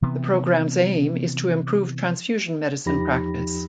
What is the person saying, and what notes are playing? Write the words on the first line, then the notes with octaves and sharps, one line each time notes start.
The programme's aim is to improve transfusion medicine practise.
C3 E3 B3
E2 F3 D#4 G4 B5 A#6